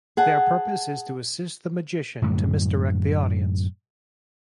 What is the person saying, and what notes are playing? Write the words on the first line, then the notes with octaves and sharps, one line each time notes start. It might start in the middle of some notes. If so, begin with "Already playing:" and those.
Their purpose is to assist the magician to misdirect the audience.
G#4 F#5 A5
F#2 A2 D3 G3